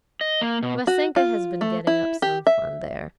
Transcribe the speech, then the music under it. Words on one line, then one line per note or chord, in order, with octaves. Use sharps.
Vassenka has been getting up some fun there.
D#5
A#3
B2
F#4
F4
A3
E4
G4
E5